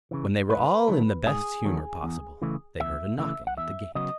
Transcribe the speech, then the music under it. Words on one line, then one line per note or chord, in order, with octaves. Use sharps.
When they were all in the best humour possible, they heard a knocking at the gate.
C#3 E3
G#2 B4
D#3 F#3 A3
G#2 G#4
D#3 F#3 A3
E2
C#3 E3 A3
E2 E5
C#3 E3 A3 E5
F#5
E2 E5
C#3 F#3 B3 D#5